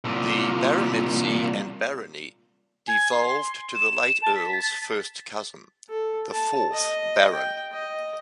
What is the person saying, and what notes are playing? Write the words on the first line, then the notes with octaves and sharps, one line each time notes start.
The baronetcy and barony devolved to the late Earl's first cousin, the fourth Baron.
C2 A#2
G#5
C6
E7
A5
B6
A6
A4
A5
D#5
G5
D#5